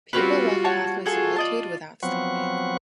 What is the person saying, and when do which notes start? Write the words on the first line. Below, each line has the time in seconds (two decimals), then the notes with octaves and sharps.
People walk pass my solitude without stopping.
0.13 G3 C4 C#4 F4 F#4 B4
0.64 C#5 F#5 A5
1.06 F4 F#4 G#4 A4
1.36 D5 D#5 A5
2.03 F3 F#3 B3 C4 F#5 C#6